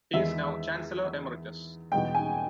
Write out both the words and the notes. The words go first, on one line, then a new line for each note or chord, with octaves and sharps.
He is now chancellor emeritus.
E2 D#3 G#3 E5
E2 B2 G#3 G5
G#5